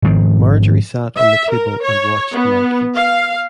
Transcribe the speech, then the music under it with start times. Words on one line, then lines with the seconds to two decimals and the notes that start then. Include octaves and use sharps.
Marjory sat on the table and watched Mike eat.
0.02 G#2 D#3 F3 C4
1.17 E5
1.51 A#4
1.83 C#5
2.34 B3
2.95 F5